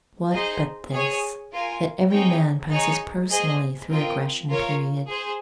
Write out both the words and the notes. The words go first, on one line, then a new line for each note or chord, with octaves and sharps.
What but this, that every man passes personally through a Grecian period.
D#4 G#4 C5 D#5
G#4 C#5 G#5
F4 A#4 F5 G#5
C4 D#4 G#4 C#5 G5
D#4 G#4 C#5
G#4 C5 D#5 G#5
C4 F4 A#4 D#5 G5
F4 A#4 C#5 F5
G#4 C5